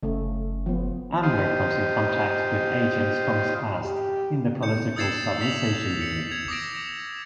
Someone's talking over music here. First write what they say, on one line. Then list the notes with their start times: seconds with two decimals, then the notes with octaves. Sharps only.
Ambler comes in contact with agents from his past in the Political Stabilization Unit.
0.03 F#1 C#3 A3
0.66 F3 B3
1.23 F4 G4 C5 D#5
3.85 G4
4.63 G6 C#7
4.96 D#6 E6 G#6 A6 C7 E7
5.41 B6 F7 F#7
6.01 C#7
6.29 G#6 F7
6.48 D6 D#6 A#6 D7